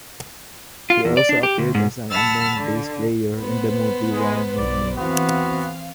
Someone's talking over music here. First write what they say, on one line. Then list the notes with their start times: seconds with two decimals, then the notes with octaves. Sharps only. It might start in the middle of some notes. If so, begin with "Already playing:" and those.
He also appeared as an unnamed bass player in the movie "Round Midnight".
0.90 F4
1.05 E2
1.17 D5
1.29 D4
1.43 G4
1.58 D2
1.75 G#2
2.09 F#5 A5 B5 E6 F6 A6
2.57 D3
3.39 B3 B4 C5
4.12 G#3
4.57 B1 D5
4.97 E3 B3 C4 F#4 F5